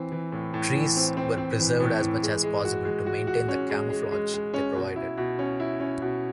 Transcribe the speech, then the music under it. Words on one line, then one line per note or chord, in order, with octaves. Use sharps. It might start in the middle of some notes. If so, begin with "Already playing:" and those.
Trees were preserved as much as possible to maintain the camouflage they provided.
Already playing: E3 C4
E3
A2
A2
E3
C4
C4
C4
E3
A2
E3
G#3
G#3
F#4
G#3
F#4
F#4
C#4
G#3
G#3
G#3
G#3
C#4
B2
E4
B2
C#4
E4
C#4
B2